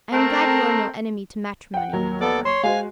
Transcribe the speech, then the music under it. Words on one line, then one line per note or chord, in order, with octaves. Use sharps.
I am glad you are no enemy to matrimony, however.
A3 C4 A#4
F#5 G5
D#2 F#3 A#4
B3 A4 D5 D6
C#5 C6
G#3 F#4 C5 F5 G#5